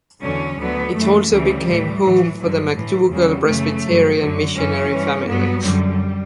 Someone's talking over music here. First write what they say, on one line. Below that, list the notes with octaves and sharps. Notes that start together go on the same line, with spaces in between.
It also became home for the McDougall Presbyterian missionary family.
E2 D3 F#3 C#4
D2 D3 F#3 B3
F#2 E3 A3
D2 C#3 E3 G3
A2 E3
A2 E3 F#3
G2 D3 F#3
A2 E3
E2 C#3 F#3 G3
F#2 C#3 E3 A3
G2 F#3
F#2 D3 F#3
F#2 E3 C#4
G2 E3
G2 F#3 B3
F#2 D3 F#3 G3